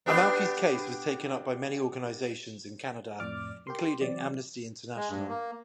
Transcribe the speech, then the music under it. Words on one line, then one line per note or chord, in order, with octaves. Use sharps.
Almalki's case was taken up by many organizations in Canada, including Amnesty International.
B3 D4 G4
F2 A2 D5 D6 F6
G4 A#4 C6
E3 F#3 C4 D5
G#3
G2
A#3